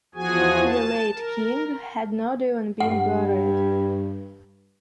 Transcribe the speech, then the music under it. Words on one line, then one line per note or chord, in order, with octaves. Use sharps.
The late king had not even been buried.
E2 F3 F#4 G#4 G#5
A5
A#4
G2 F#5